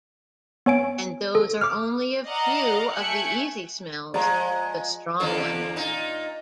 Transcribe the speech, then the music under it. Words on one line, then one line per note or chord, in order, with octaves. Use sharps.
And those are only a few of the easy smells — the strong ones.
B3 C#5 G#5 D7
A4
D6 F6
D5 D#5 F5 F#5 A#5
A3 E5 G5 G#5 F#6 C#7
F3 G#3 D5 A#5
E2 D3 A#3
A#2 D#4